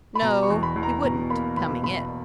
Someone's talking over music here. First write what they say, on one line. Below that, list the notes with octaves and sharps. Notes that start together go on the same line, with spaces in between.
"No, he wouldn't, coming in."
B5
B2 A#5
C#6
E2
B5
E2
A#5
B2 A#5
A#3 B5
B2 B5
B2 B5